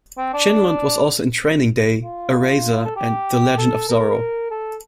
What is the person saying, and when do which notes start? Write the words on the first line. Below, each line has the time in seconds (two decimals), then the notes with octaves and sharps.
Chinlund was also in "Training Day", "Eraser" and "The Legend of Zorro".
0.18 C4
0.34 D4
2.03 F4
2.85 A4
2.96 G4
3.58 A4
3.89 A#4
4.51 A4